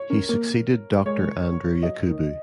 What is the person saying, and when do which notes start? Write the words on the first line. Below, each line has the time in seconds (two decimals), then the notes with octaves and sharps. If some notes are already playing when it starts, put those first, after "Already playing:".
He succeeded Doctor Andrew Yakubu.
Already playing: C#5
0.10 C#4 A#4
0.29 A#3 A#4
1.06 G#3 C#5
1.83 F#3 D#5
2.08 D#3